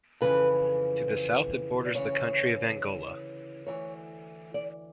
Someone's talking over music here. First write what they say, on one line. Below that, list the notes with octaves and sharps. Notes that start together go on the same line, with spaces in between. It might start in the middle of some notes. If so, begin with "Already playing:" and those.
To the south it borders the country of Angola.
F2 C#3 E3 B4
C5
D5
D2 C#3 E3 C#5
D2 C3 E3 C#5
D5